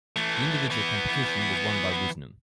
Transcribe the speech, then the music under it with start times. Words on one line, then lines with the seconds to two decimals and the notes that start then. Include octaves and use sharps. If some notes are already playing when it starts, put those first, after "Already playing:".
The individual competition was won by Woosnam.
0.16 E3 A3
0.71 E3 B3